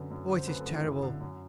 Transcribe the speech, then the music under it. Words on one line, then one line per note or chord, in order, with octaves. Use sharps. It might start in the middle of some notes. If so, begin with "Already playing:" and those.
Oh, it is terrible!
Already playing: F#2 D3 B4
F#2
D3
C5
F#2 B4
A4
D3
E4
F#2
D3
F#2